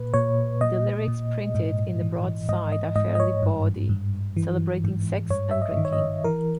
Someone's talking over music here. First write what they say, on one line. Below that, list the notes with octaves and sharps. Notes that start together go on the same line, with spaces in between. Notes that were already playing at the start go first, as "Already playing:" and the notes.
The lyrics printed in the broadside are fairly bawdy, celebrating sex and drinking.
Already playing: A#2 B4
A#2 C#5
A#2 D#5
A#2
G#2
E3
G#2 D#5
D#5
G#2 D#5
D#5
C#5
G2
G2
E3
G#2
G2 C#5
E5
D#5
D#3
C#5
D#5
E3 A#4